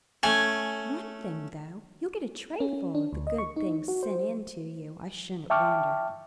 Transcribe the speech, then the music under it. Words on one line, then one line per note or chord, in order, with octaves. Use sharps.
One thing, though, you'll get a trayful of the good things sent in to you, I shouldn't wonder.
A3 C#4 G#5
C#4
C#4
D4
D2
D#5
C#6
D#4
F#4
C5
E5 G5 A5 C#6 D6 F6